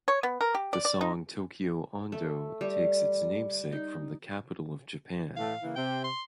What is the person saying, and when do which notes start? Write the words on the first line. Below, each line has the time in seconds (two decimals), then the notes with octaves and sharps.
The song "Tokyo Ondo" takes its namesake from the capital of Japan.
0.08 C#5
0.23 B3
0.41 A#4
0.55 G4
0.73 D5
0.85 D5
1.01 D#4
2.12 A3
2.61 G3
3.72 D#4
5.36 A2 E3 A3 F5
5.62 C#3 E3 A#3
5.76 C3 G5
6.04 C6